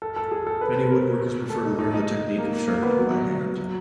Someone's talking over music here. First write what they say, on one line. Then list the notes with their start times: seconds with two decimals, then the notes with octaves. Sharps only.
Many woodworkers prefer to learn the technique of sharpening by hand.
0.02 A4
0.16 A4
0.31 G#4
0.47 A4
0.61 B4
0.76 C5
0.91 A#4
1.50 A4
1.65 D#4
1.79 D#4
1.94 D#4
2.38 A#3
2.68 A#3
2.83 B3
2.98 F#3
3.57 F#3